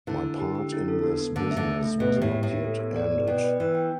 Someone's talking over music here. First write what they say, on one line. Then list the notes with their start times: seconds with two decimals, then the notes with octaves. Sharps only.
My part in this business was not yet ended.
0.07 D3 E4
0.24 E4
0.39 G4
0.55 G4
0.72 E4
0.88 A4
1.04 B3
1.19 B3
1.35 D3 A3
1.51 E5
1.57 D3
1.67 A3
1.84 A3
1.99 B2 E5
2.16 G4
2.22 A2
2.32 G4
2.43 A2 E5
2.64 A4
2.79 B3
2.96 D5
3.12 D5
3.27 B2 G5
3.44 B4
3.60 E3 B3
3.75 G5